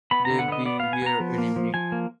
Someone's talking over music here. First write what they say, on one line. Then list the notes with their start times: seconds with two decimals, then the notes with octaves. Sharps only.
They'll be here any minute!
0.11 B3 B5
0.25 D3 A#5
0.39 F#5
0.48 B3 D#5
0.66 B3 D5
0.80 B3 F5
0.93 G#5
1.02 B3 A#5
1.20 F3
1.38 A#3
1.56 F3
1.74 F3 G#5
1.92 A#3